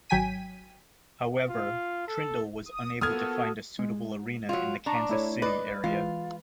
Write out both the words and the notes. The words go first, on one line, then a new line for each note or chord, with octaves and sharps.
However, Trindle was unable to find a suitable arena in the Kansas City area.
G#1 F#3 G5 G#5 B6 D#7
F4
A4
D#6
A#3 B3 F4 F#4 A4 D#6 F6 G#6
G#3
F#3 F4
D4 A5 A#5 C#6
A3 E4 C#5
B4 D5 D#5
E3 G#3 F4